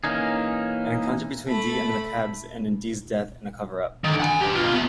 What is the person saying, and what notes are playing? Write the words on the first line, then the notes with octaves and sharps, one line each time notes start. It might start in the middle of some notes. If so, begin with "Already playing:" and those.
An encounter between Dee and the McCabes ends in Dee's death and a cover-up.
E3 A#3 C#4 D#4 G#4
A3 B5
D3 D#3
F#5 G#5
G4 B4
B2 F4
B3 E5